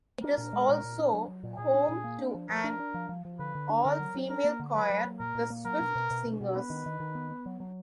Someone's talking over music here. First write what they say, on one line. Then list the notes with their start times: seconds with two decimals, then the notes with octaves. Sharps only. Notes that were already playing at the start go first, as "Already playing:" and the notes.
It is also home to an all-female choir, The Swift Singers.
0.23 D4 A#4
0.38 A#2
0.53 G#3
0.69 A#2
0.84 A#2
0.99 D4
1.14 F#3
1.28 F#3
1.43 A#2
1.58 A#2 G#4
1.74 D4
1.89 A#2
2.04 A#3
2.18 D4
2.34 F3
2.49 F3 A#4
2.64 D4
2.79 D4
2.94 F3
3.09 F3
3.25 F3
3.39 D3 B4
3.55 D3
3.69 D4
3.84 D3 A#4
4.00 F#3
4.14 F#3
4.29 D4 A#4
4.44 A#3
4.60 D3
4.75 F#3 B4
4.90 F#3
5.05 A#3
5.19 A#2 A#4
5.35 A#2
5.50 A#3
5.65 F#3 A#4
5.81 B2
5.95 B2
6.11 B2
6.26 B2
6.41 B2
6.56 B3 B4
6.70 D#3
6.86 D#3
7.00 D#3
7.15 B3
7.31 B3
7.46 F#3
7.60 F#3